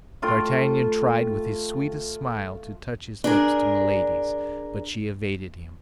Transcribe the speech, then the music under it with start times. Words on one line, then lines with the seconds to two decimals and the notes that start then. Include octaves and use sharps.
D'Artagnan tried with his sweetest smile to touch his lips to Milady's, but she evaded him.
0.22 A3 F4 G5
3.24 D4 G#4 A#4